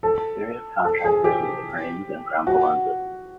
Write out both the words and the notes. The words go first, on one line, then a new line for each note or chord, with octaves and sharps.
Various contractors made the frames and ground the lenses.
A4
A4
G#4
G4
F#4